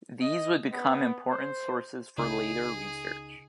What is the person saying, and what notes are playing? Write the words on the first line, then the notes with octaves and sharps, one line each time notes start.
These would become important sources for later research.
D#5
B3
C5
C#2 C#3 D#4 G#4